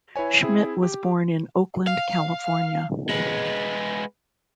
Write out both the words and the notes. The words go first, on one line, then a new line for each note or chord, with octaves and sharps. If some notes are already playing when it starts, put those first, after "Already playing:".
Schmit was born in Oakland, California.
E4 B4 C#5 G#5
C4 E4 G#4
G4
F5
G#3 B3